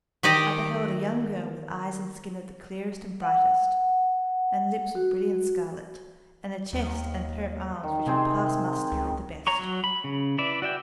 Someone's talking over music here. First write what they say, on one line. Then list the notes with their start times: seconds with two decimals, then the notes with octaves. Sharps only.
I beheld a young girl with eyes and skin of the clearest and brightest, and lips of brilliant scarlet, and a chest and pair of arms which would pass muster with the best.
0.23 D#3 G4 D5 D#5
3.22 F#5
4.95 F#4
6.73 D#2
7.83 D#3
8.07 C3 C4 G#4 C5
8.92 C#2
9.47 C#5 A#5 C#6
9.59 F#3
9.84 B5
10.04 C#3
10.38 E4 B4 D5 E5
10.62 F#4 D5 E5 G5